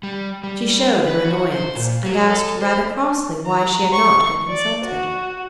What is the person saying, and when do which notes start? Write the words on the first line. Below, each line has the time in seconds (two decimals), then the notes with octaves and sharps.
She showed her annoyance, and asked rather crossly why she had not been consulted.
0.03 G3
0.44 G3
1.08 B4
1.25 F#4
1.52 C5
1.75 A#2
2.06 F#3
2.28 A4
2.62 C5
3.45 A#5
3.92 C#6
4.49 D5
4.84 F#4